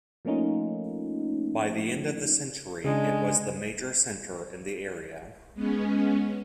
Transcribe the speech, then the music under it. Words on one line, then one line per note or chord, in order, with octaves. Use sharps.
By the end of the century it was the major centre in the area.
F3 A3 A#3 C#4 D#4 F4
C#3 G#3 D4
G#3 B3 C#4